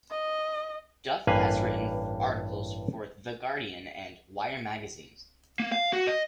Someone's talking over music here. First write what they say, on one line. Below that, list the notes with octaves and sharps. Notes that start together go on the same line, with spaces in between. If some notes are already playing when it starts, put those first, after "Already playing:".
Duff has written articles for "The Guardian" and "Wire Magazine".
D#5
A1 G2 A#3 B4 F5 G#5
A#3
F5
F#4
D#5